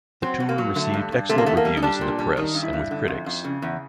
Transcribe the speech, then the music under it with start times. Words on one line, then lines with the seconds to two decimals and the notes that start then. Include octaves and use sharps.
The tour received excellent reviews in the press and with critics.
0.22 F#3 C4
0.40 B2
0.49 A#3
0.58 F#3
0.75 D3 A3
0.94 G2
1.12 G2
1.29 C3 A3
1.38 A#3
1.46 E2 A3
1.57 A#3
1.65 G3
1.77 D#4
1.82 G3 D4
2.01 A#2
2.19 G3
2.37 D#3 D#4
2.54 G2
2.63 E4
2.73 G2
2.91 D3
3.08 F2
3.26 F2
3.44 C#3
3.62 E2